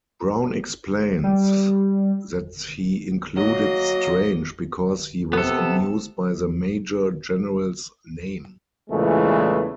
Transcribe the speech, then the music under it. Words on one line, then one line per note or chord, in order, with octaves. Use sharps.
Brown explains that he included Strange because he was amused by the Major-General's name.
G3
F#3 A#3 F#4 D#5
C3 B3 A4
E2 A#2 C#3 E3 G#3 A3